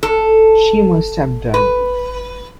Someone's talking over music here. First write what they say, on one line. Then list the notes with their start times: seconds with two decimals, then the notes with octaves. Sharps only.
She must have done.
0.03 A4
1.54 B4